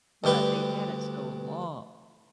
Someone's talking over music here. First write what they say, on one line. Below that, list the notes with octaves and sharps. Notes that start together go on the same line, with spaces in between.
but they've had it so long.
D2 G2 G4 B4